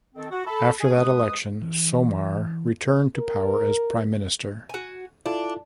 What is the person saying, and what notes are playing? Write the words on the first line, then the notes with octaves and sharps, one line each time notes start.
After that election, Somare returned to power as prime minister.
D#3 C4 A4
F#4
A4 B5
G#4
G#2 G#3 B4 D#6
E3
A#4
F#4 G#5
D4 E4 F4 A4